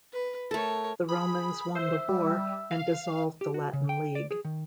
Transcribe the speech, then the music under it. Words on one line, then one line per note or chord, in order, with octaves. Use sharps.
The Romans won the war and dissolved the Latin League.
B4
A3 A4 A#4 C#5
G#4 B5
C5 E5
G3
F5
G4
F#4
C#3
G5
D5
G#4
D#3